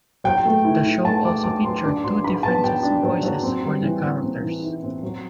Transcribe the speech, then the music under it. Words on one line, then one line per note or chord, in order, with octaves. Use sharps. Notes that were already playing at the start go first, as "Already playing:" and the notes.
The show also featured two different sets of voices for the characters.
F#3 G5
A3
E4
E4
A3 A5
F#3 D6
F#3 D6
F#3 C6
D4 D6
F#3 C6
D4 B5
B3 A5
F#3 G5
D4
F#3
F#3
C4
G3
E3
C4
C4
E3
E4
C4
F#3